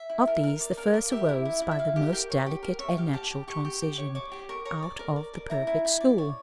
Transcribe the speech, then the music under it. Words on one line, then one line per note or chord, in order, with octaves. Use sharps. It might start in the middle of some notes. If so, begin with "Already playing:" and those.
Of these the first arose, by the most delicate and natural transitions, out of the perfect school.
Already playing: E5
E4
A#4
A#4
D5
A#4 F5
A#4
G4 E5
E4
E4
E4
E5
E4 F5
G4
A#4 G5
C#5
G4
A#4
C#5 E5
G4 F5
G4 A5
G4
G4 C#6
G4
G4
C#5
C#5 D6
G4
A#4 C#6
C#5 A#5
D5
A#4
D5
A#4
E4 A#5
E4
E4
D5
C#5